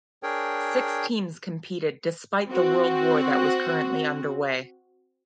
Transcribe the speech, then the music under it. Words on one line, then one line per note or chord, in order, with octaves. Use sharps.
Six teams competed despite the World War that was currently under way.
D4 G#4 A#4 C#5 G5
C4 F#4